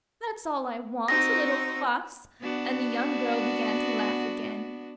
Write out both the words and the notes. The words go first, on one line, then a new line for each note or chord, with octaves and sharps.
"That's all I want--a little fuss!" And the young girl began to laugh again.
C4 D#4 F#4 A#6
B3 D4 F#4